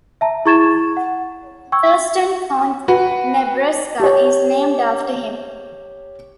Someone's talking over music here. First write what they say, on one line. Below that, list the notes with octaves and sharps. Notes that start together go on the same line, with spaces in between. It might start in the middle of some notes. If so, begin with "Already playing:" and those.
Thurston County, Nebraska is named after him.
E5 A5 A#5
E4 G#4 C#6 G#6 A6 E7
F#5
G5 C#6 E6 G#6
F#4 B4
G4 C#5